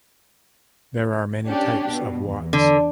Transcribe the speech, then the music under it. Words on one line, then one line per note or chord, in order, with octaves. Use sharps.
There are many types of wats.
C#4 D4 G4
B2
E2
D3